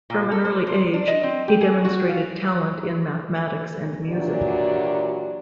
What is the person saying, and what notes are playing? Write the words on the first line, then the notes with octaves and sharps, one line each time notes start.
From an early age, he demonstrated talent in mathematics and music.
A#2
A4
C5
C5
D4
D#5
C4
G4
G#4
F#4
F5
A#2 E3 F#3 D4 F#4 G4